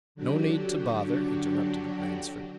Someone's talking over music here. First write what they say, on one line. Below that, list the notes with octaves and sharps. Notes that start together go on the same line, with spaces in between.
"No need to bother," interrupted Ransford.
D3 F#3 D4 F#4 G4